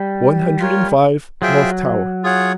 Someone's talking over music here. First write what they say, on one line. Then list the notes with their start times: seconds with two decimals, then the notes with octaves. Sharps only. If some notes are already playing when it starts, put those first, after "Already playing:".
"One Hundred and Five, North Tower."
Already playing: G3
0.60 F4 A#4 C#5
1.42 F#3 F4 G#4 C5 E5 G5
2.24 F4 G#4 C#5 F#5